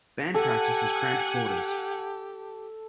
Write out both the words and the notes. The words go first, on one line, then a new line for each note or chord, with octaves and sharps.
Band practice is cramped quarters.
G4 A4 F#5 G#5